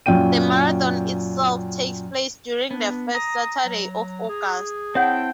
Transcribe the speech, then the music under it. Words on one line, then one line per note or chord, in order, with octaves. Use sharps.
The marathon itself takes place during the first Saturday of August.
F#2 A#2 C#4 G5 D#7
B3 D4
A#5 D#6
F#3
G#4
C4 E4 C#5 F#5 G5 A5